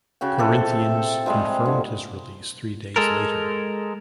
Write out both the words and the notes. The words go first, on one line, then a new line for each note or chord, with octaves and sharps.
Corinthians confirmed his release three days later.
C#3 F#4 G5
C3 F3 A4
E5
F3 G3 G#3
D3
G#3 A4 A#4